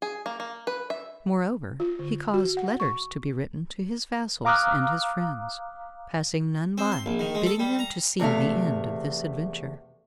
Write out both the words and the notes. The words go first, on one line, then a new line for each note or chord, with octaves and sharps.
Moreover he caused letters to be written to his vassals and his friends--passing none by--bidding them to see the end of this adventure.
G#4
A#3
A#3
B4
E5
F4
D3
F#4
F#5
C#6
F5 A#5 D6 D#6 F6 F#6
C4
C6
A#1
D#3
G#3
A4
G3
A#5
E2 C3 A3 E5 F5